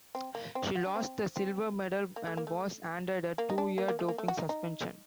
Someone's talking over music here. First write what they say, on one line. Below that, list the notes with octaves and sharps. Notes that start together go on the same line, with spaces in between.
She lost the silver medal and was handed a two-year doping suspension.
C4
A#3
C4
F#4
D4
C4
C4
A#3
A3
A#3
A3
A#3
D#4
D4
A#3
A#3
A3
A#3
A3
F#4
D#4
D#4